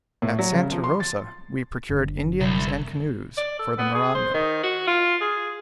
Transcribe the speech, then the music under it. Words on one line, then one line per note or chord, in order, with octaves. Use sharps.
At Santa Rosa we procured Indians and canoes for the Maranon.
A2
F#3
C#3
F3
C6
A6
F#1 D3
C2
D5
A4
B3
G#4
C5
D#3
F#4
F4
G#4